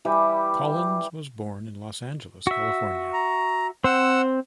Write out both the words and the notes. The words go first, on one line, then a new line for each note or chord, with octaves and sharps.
Collins was born in Los Angeles, California.
E3 G3 G4 E5
F#4 E5
A#5
C4 C5 F#5 E6